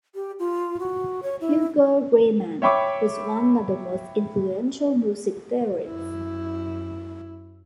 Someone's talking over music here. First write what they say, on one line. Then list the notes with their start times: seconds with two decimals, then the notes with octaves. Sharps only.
Hugo. Riemann was one of the most influential music theorists.
0.15 G4
0.39 F4
0.80 F#4
1.23 C#5
1.41 E4
2.62 C#5 E5 G5 B5 C#6 D6
5.86 F#2 E4